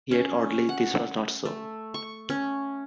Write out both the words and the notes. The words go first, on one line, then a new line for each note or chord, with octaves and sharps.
Yet, oddly, this was not so.
C#4
F#5
A3
C#6
C#4